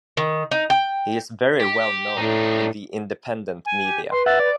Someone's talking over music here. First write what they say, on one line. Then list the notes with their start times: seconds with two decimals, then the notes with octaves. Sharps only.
He is very well known in the independent media.
0.17 D#3
0.51 D#4
0.70 G5
1.60 G4
2.17 A2 D4 D#4
3.66 G#5
3.81 G4
4.11 B4 C6
4.26 E5 F#5 A6
4.40 D5